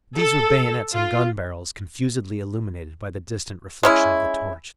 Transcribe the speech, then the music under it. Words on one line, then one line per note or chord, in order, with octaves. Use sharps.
These were bayonets and gun-barrels confusedly illuminated by the distant reflection of the torch.
A4
F4
G#3 C#4 E4